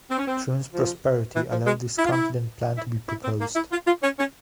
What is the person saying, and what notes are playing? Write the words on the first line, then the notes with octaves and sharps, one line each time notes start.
Troon's prosperity allowed this confident plan to be proposed.
C4
C#4
C4
F3
E3
F3
G#3
E4
F4
E4
E4
E4
C4
A#3
E4
F4
F4
C#4
C#4